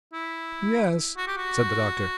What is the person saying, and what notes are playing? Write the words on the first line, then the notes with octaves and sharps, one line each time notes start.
"Yes," said the doctor.
E4
F#4
G4
F#4